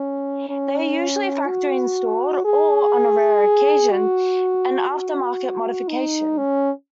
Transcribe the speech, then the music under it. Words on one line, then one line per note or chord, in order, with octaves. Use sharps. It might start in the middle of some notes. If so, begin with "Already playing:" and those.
They are usually factory-installed or, on rarer occasion, an after-market modification.
Already playing: C#4
C#4
F#4
G#4
F#4
F#4
D#4
C#4